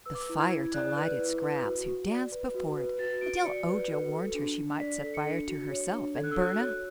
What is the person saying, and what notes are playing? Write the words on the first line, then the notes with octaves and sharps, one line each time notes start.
The fire delighted Scraps, who danced before it until Ojo warned her she might set fire to herself and burn up.
B4 E6
D6
E6
E4
G#6
E4
D5 F#6
B4
E4
B4
F#4
F#4
D5
B4
F#4
B4
F#4 A6
F#4 D7
D5 C#7
B4
F#4
A4
D4
D4
D5 B6
A4
C#7
D4
F#4
C#5
D4
A4 G#6
F#6
E6
F#4 F#6
C#5